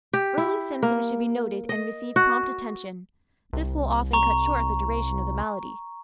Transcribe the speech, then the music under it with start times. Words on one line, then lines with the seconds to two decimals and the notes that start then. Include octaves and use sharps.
Early symptoms should be noted and receive prompt attention; this will often cut short the duration of the malady.
0.13 G4
0.38 E4
0.83 A#3
1.69 D#5
2.16 F#4
3.53 C2
4.13 A#5 C#6